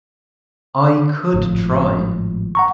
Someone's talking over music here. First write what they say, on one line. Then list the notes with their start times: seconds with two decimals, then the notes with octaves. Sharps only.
I could try.
1.34 G#1 A2 F3
2.55 F#5 A#5 C#6